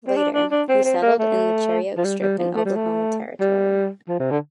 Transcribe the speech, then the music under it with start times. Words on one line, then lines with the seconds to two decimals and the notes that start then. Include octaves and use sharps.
Later, he settled in the Cherokee Strip in Oklahoma Territory.
0.07 C4
0.17 D4
0.34 D4
0.51 D4
0.68 C4
0.85 C4
1.02 A#3
1.19 A3
1.98 F3
2.04 G3
2.21 G3
2.38 F3
2.56 A3
2.65 G3
2.76 A3
3.40 G3
4.08 F3
4.19 C3
4.31 D3